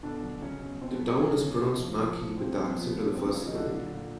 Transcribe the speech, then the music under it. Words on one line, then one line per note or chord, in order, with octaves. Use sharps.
The town is pronounced "Mackie" with the accent on the first syllable.
B2 D3 D4
F#3
C#3 F#3 C#4
B2
B2 C4
B3
F#3
C4
C#3 F#3 C#4
B2
A#2
F3
F3
A#2
A#2 C4
F3 C4
F3 B3
A#2
C#4
A#2 C4
C#3 F#3 C#4
D#4
D3 F#3 D4
A#2
A#2